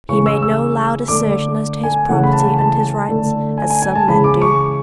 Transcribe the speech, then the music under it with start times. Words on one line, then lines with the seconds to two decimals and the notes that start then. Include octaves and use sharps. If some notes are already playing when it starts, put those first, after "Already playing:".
He made no loud assertion as to his property and his rights, as some men do.
0.09 C#3 E3 G#3 C#6
0.26 E6
0.43 E6
1.08 D3 A3 D6
1.84 G#5
2.09 C#3 E3 A3 F#5
2.23 B5
2.33 A5
2.59 A5
3.09 D3 A3
3.58 G#5
3.70 G#5
3.82 G#5
3.95 A5
4.08 C#3 E3 G#3 B5
4.24 D6
4.42 C#6